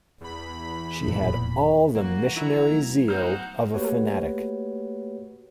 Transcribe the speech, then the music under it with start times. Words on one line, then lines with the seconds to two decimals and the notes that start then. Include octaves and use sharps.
She had all the missionary zeal of a fanatic.
0.21 E2 B5
1.05 E1 F2 A#2
1.95 E3 F3 G3 A#3 F#4
2.36 E4 A#5
2.70 F#3 A3 B3
3.08 D#4 F#4 C5 F#5 F6 G6
3.74 A3 A#3 F#4 G4 B4 C#5